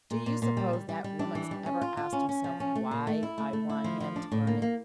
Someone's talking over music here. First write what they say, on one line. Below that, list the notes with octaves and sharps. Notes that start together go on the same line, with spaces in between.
Do you suppose that lummix ever asked himself WHY I want him to learn it?
A#2
A#2
A#2
G3
G3
G3
G3
D4
E3
G3
C#4
F4
F4
C#4
C#4
F3
C#4
A3
A#2
A3
E4
A3
A3
E4
F3
F3
D4
A2
A#3
A#3